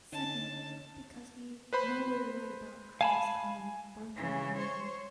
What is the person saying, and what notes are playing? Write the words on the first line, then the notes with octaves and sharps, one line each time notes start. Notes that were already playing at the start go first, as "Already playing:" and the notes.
Second because we nowhere read about Christ calling Bartholomew.
D3 C#4 D#4 A5
B4 C5 B5
F5 G#5 A5 B5
C#3 E3
C5 C#5